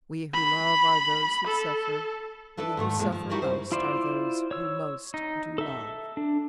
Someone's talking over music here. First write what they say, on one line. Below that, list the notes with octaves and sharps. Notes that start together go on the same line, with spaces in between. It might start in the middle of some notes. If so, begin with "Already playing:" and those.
"We who love are those who suffer; We who suffer most are those who most do love."
B5
A4
D4 E4 A4 B4 D5
G#2 D#3 A3 A4
G2 A#2 D#3 F3 G#3
F3
D#4 E4 F#4 G4 A#4 D5
F#2 G3 C5
E4 F4 C5 D5
C#5 E6
D#4
A4 E5
D4